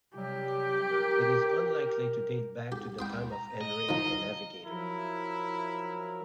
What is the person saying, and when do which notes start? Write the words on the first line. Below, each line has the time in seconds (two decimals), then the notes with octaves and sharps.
It is unlikely to date back to the time of Henry the Navigator.
0.16 C3 F#3 G3 G4
0.92 A#4
2.72 G4
2.99 A2 C#3 G3 G5 C6 D#6
3.31 A#5
3.61 D#5
3.89 C2 D#3 F3 F5 A#5
4.65 F3 F#3 E4 A#4